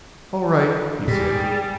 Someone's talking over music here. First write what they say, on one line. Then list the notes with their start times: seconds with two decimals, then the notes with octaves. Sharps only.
"All right," he said.
1.07 G#2 G3 G4 G#4